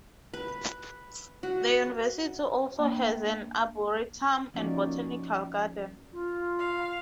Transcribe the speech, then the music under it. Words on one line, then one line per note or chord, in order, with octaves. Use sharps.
The University also has an Arboretum and Botanical Garden.
B4
F#4
A#3 D4
F3 A#3 C#4 D#4 F#4 D5
F4
F5